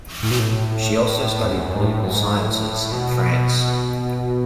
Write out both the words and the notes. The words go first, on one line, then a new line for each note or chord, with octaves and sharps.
She also studied Political Sciences in France.
A2
B2
A2
E2
F#2
E2
F#2
G#2
A2
F#2
G#2
G#2
A2
B2